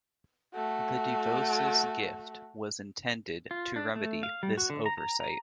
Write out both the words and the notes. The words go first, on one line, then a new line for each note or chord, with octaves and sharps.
The DeVoses' gift was intended to remedy this oversight.
A3 F#4
F4
D4
A3
F5
G3
F#4
D3
A#5
A#5
A#5